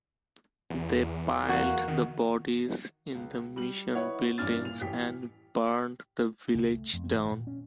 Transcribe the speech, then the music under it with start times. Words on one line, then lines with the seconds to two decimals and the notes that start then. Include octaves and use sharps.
They piled the bodies in the mission buildings and burned the village down.
0.70 E2
1.47 A#3 F#4
1.88 D#3
3.15 C#2
3.56 G3 F#7
3.95 D#4 E4 B4 C#5 F#5
4.38 A1 G2 C#4 D4 F6 A6
4.65 A#2 F7
4.81 A1 G4 B6
6.55 C2
6.74 A3
6.93 F2
7.11 G#1
7.32 A#2
7.47 C#4